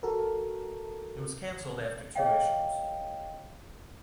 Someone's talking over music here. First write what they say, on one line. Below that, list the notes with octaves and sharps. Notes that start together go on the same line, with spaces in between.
It was cancelled after two issues.
F#4 A4 A#4
G#4 C#5 D#5 F5 G5